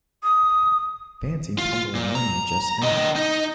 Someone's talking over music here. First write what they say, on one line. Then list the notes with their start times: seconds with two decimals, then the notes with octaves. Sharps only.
Fancy tumbling on you just now!
0.24 D#6
1.58 F4
1.95 A#2
2.15 A#5
2.83 D3 D#5
3.16 D#4 D#5